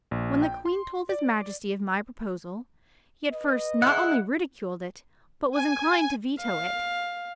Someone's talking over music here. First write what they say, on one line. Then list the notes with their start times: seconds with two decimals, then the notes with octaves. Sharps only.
When the Queen told his Majesty of my proposal, he at first not only ridiculed it, but was inclined to veto it.
0.11 A#1
0.42 G5
0.66 C6
1.09 D5
3.31 B4 D#5
3.82 G#3 E4 F#5
5.52 G#5
6.40 F5